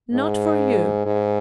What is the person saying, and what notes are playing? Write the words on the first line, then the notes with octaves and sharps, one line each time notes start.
Not for you!
G#2
G#2